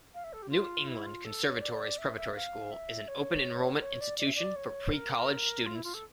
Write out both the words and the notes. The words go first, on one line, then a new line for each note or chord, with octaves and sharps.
New England Conservatory's Preparatory School is an open-enrollment institution for pre-college students.
F5
E5
A4
G4
F4
E4
F4
A4
C#5
D5
E5
E5
F5
E5
C#5
A#4
C#5
D5
D5
E5
D5
C#5
A#4
F4
E4
F4
A4